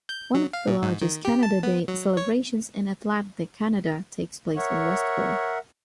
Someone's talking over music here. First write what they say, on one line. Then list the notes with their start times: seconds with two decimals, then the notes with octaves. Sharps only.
One of the largest Canada Day celebrations in Atlantic Canada takes place in Westville.
0.09 G6
0.34 F#3
0.53 F5
0.67 A#2
0.82 G#2
1.02 D#3
1.25 G4
1.43 A5
1.63 B3
1.88 F#3
2.17 C#5
4.57 A#4 C#5 E5 F#5